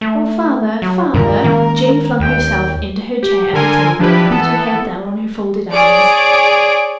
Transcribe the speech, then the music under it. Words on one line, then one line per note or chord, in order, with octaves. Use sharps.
"Oh, father, father!" Jane flung herself into her chair at the table and put her head down on her folded arms.
A3
F#3
F#2 A#2 D3 E3 A#4
D#3 G#3 A#3 C#4
D#2 G5
G4
D3 A4 A#4 G#5 C6
F3 D4 E4 G4 B4
E3 B3 A4
G#4 C#5 D5 D7